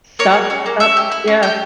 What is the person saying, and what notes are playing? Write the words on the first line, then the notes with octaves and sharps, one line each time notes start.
Stop stop yeah.
A#3 C#5
G#4
C#4
A#3
C#4 E5
G4
E4
C#4
G4 G5